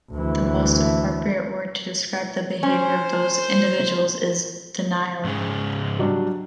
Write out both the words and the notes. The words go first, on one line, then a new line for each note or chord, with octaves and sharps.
The most appropriate word to describe the behavior of those individuals is 'denial'.
D2 E3
C#4 C5
G#2 C#3 G#4
F#3 G3 D4